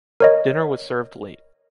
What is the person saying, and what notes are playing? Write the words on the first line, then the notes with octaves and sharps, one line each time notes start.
Dinner was served late.
A#4 C#5 D#5